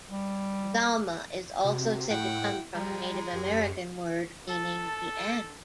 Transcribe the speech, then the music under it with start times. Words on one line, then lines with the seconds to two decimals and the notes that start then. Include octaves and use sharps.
Zalma is also said to come from a Native American word meaning the end.
0.09 G3
1.64 C3 F#4
2.10 A2 E4 F#5 G5
2.75 G3 G#3 A#5
3.33 F#2 G4
4.49 A4 A5